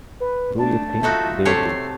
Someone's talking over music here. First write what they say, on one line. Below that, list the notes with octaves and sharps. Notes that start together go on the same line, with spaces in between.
Do you think they do?
B4
A3 D4 A5
A3 D#4 F4 F#4 E5
C3 A3 A4 C#5 C7